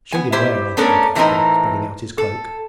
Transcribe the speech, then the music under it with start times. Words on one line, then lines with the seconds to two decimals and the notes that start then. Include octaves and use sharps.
'Showed him where,' answered Lukashka, spreading out his cloak.
0.12 B3 G#5
0.32 E4 G4 C5
0.77 A3 B3 C#4 D4 A4 A#4
1.15 A2 E3 G#3 C4 D#4 A#4
2.18 A4